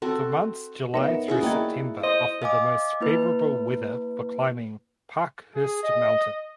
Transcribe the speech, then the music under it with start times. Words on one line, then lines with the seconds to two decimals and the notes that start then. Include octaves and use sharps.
The months July through September offer the most favorable weather for climbing Parkhurst Mountain.
0.02 C4 F#4 A4
0.94 B3 D#4 A#4 C#5 E5
1.28 C#4 E4 F#4 G#4
1.43 A#3 E4 G#4 A#4 D5 D#5 F#5 G5
2.03 C5 D#5
2.42 D#5 F5 G#5 D6
3.01 A#3 E4 B4
5.55 G#4
5.83 D#5